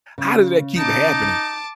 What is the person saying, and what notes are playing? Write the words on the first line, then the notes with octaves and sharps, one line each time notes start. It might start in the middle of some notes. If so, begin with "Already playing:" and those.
how does that keep happening?
C#3
D#4 A5 D6